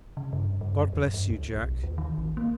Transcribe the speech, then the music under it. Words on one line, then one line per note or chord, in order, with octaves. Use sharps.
God bless you, Jack.
C#3
G2
G2
F#2
E2
G2
C#2
B1
D#2
D#3
A1
A#3